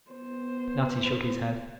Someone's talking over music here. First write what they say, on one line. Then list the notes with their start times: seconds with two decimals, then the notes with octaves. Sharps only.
Natty shook his head.
0.11 B3 C5